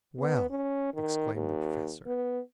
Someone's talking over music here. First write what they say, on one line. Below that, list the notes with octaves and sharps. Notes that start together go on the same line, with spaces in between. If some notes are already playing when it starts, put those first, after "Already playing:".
"Well!" exclaimed the Professor.
B3
C#4
D#3
D#2
B3